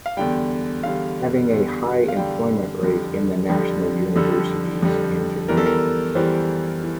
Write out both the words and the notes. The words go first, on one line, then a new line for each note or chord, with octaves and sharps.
Having a high employment rate in the national universities in Japan.
F5
E2 D3 G3 G5
E2 D3 G3 F5
E2 D3 G3
F5
E2 D3 G3 G5
F2 D3 G3
F2 D3 G3
F2 D3 G3 A4
F2 D3 G3
E2 E3 G3 A#4
A4
A#4
E2 E3 G3 C5
E3